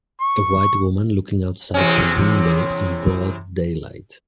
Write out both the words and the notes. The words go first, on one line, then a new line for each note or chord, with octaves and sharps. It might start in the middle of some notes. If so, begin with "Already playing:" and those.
A white woman looking outside her window in broad daylight.
C#6
E2 C3 C#4